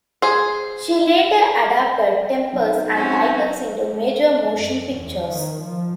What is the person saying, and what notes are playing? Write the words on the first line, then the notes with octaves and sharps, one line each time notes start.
She later adapted "Tempest" and "Titus" into major motion pictures.
G#4 C5
B1
C4 C#4 F#4
F#2
E2
D#3
F3